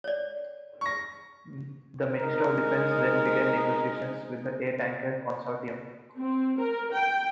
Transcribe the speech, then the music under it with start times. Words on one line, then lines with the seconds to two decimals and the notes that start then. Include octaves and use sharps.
The Ministry of Defence then began negotiations with the AirTanker consortium.
0.04 C#5 D5
0.81 C#6 A#6
2.17 G#3 D#4 A#4
6.17 C4
6.58 A#4
6.92 G5